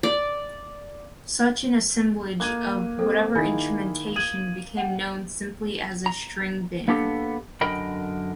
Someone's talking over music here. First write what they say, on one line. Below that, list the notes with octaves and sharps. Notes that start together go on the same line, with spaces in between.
Such an assemblage, of whatever instrumentation, became known simply as a string band.
D5
A#3 F#6 G#6 D#7
C4 A4
D#3 E4 G#4 G#5
D#6 G#6 D#7 F#7
F#5 G5
A#5
A#3 B3 D4 G4 A4
F#2 D3 A#4 D#5 G5 B5